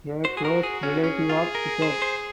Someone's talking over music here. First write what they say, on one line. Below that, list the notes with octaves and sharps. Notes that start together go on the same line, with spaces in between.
A close relative of "Z".
F#4 C5
G#4
A#4
G#4
C#4
C#4 G#4
F4
A#4
C5
C5